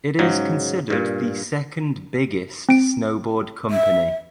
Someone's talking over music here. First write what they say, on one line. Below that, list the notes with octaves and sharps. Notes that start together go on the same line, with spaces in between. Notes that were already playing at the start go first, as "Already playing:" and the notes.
It is considered the second biggest snowboard company.
G#2 C#3 F#3
G2 A#2
C4 D7
E5